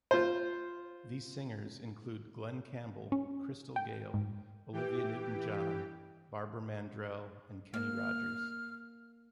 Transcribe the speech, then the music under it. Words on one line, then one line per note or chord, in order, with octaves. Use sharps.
These singers include Glen Campbell, Crystal Gayle, Olivia Newton-John, Barbara Mandrell, and Kenny Rogers.
F4 C5
C#4
G5
G#2
E3 G4 G5
A#3 F6